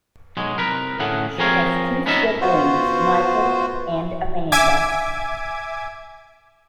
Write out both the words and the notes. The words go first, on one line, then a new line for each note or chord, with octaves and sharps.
She has two siblings, Michael and Amanda.
B1 F#3 G#3
C2 A#4 B4
D2 A2 A3 C#4 G#4 F#5
F3 C4 G#4 A#4 C#5 F5
B3 C#4 D#4 A#4 B4 E5
B3 F4 F#4 C5
E5 G#5 D6 G#6